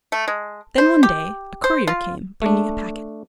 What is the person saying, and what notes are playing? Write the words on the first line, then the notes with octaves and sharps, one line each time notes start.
Then one day a courier came, bringing a packet.
A3
G#3
C5
G4
C5
F4
A3 D4